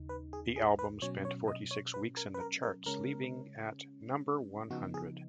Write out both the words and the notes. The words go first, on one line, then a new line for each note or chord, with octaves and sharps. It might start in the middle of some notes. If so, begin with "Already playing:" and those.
The album spent forty-six weeks in the charts, leaving at number one hundred.
Already playing: D#2 C#3 D#4
B4
G#4
G#4
B4
B2 F#3 C#4 C#5
C#5
D#5
C#5
B4
A#4
B4
A#4
A#4
C#3 G#3 C#4 A#4
C#3 F3 B3 D#4 F#4
G#4